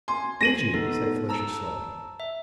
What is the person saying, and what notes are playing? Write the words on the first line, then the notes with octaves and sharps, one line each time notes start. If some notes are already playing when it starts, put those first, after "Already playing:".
"Did you?" said Felicia slowly.
G#5 C6
A#6 D#7 F#7
B3 D#4 A4
A5 A#5 E6
E5